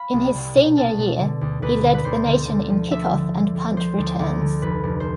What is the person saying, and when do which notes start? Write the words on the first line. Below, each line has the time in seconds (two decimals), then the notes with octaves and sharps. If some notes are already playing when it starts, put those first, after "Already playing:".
In his senior year, he led the nation in kickoff and punt returns.
Already playing: F5 B5
0.13 C2
0.34 C2
0.56 B2
0.77 C2 A5
0.98 B2
1.19 D3
1.41 D2
1.62 D2 B4
1.84 D3
1.94 B4
2.05 D2 C5
2.27 D3
2.48 D3
2.70 F3
2.91 D2 E5
3.12 D3
3.34 D3
3.55 D2
3.76 F3 C5
3.98 D2
4.19 D2
4.41 D3
4.62 F1 B4
4.83 F1
5.00 C5